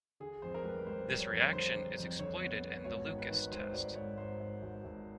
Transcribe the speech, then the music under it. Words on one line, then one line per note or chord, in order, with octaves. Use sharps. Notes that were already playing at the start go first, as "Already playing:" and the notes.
This reaction is exploited in the Lucas test.
D3 G#4
F2 C5
A#4
G3 B4
G3 C5
G3
C#5
F2
D3 C5
D3
F2
D3 C#5
B3
B3
G#1 C#5
D#3
B4
D#3
G#1 C5
G#1 D5
G#2 C#5
G#2 C5
G#2
G#1
G#1